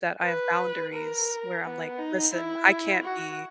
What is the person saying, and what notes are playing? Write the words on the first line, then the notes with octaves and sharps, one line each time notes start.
that I have boundaries where I'm like, listen, I can't be
B4
A#4
B3
D#4
E4
F#4